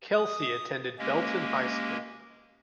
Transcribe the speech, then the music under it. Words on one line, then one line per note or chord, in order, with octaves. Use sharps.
Kelsey attended Belton High School.
D#6
G#3 A#3 C#4 G4